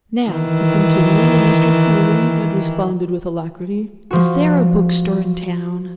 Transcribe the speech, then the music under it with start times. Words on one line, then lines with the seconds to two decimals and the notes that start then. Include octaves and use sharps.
"Now," he continued, when Mr. Cooly had responded with alacrity, "is there a bookstore in town?"
0.30 D#3 E3
4.11 F3 F#4